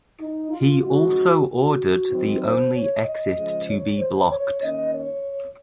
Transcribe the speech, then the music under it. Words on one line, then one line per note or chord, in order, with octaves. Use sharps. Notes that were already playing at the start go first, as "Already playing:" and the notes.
He also ordered the only exit to be blocked.
D#4
F4
C#3 F3 G#3 D#4 F#4
F#4
D#3 F#3 C4 D#4
C5
C#5
D#5
C#3 F3 G#3 C#4
C#5
C5
C#5
D#3 A#3 C#4 D#5
C#5